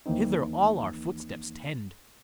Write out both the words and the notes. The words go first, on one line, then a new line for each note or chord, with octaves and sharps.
Hither all our footsteps tend.
D#2 E3 A#3 C4 D#4